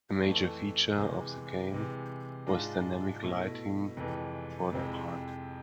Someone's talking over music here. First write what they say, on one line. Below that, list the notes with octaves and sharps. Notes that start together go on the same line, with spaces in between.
A major feature for the game was dynamic lighting for the park.
F2 E3 A3
C3 E3 G#3
C3 E3 G#3
G#2 G#3 D4 F4
B2 A3 E4
F2 C3 E3 G#3
F2 C3 G#3 C4 E4